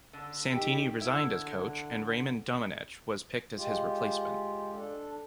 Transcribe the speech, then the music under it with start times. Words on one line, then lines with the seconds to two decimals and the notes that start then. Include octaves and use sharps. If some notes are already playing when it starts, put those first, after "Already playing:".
Santini resigned as coach and Raymond Domenech was picked as his replacement.
0.13 D3
0.52 D#3 G4
1.01 D3 E4
3.56 G#3 F4 G4
4.73 D4 A4